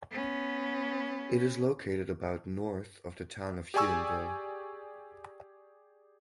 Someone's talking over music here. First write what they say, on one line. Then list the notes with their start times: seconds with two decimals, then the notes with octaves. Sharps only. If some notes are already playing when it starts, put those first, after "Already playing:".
It is located about north of the town of Huonville.
0.11 B3 C#4
3.74 G4 G#4 D5 G#5 C#6 E6